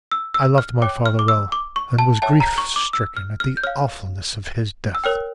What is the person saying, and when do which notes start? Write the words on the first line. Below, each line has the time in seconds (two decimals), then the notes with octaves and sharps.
I loved my father well, and was grief-stricken at the awfulness of his death.
0.12 E6
0.34 E6
0.58 F6
0.82 C#5 G5 D6
1.06 F6
1.19 D6
1.28 E6
1.52 D6
1.76 C#6
1.99 A5
2.22 C#5 E5 G5 A5
2.40 A#5
2.58 C#6
2.76 D6
2.93 E6
3.17 F6
3.40 F6
3.57 G6
3.63 C#5 F5 F6
4.95 E6
5.04 A#4 C#5 G5 F6